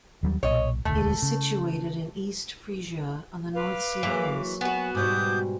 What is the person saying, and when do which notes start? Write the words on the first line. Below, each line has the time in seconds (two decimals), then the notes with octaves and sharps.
It is situated in East Frisia, on the North Sea coast.
0.23 D#2 F#3 G3
0.43 B1 A#2 C#5 D#5
0.85 E1 D2 A3
1.22 C#3
3.54 B4 F5 D6
4.03 E3 F#3 A#3 G#4
4.61 B3 F#4 G#5
4.95 G#2 B2 G3 D6 D#6 G6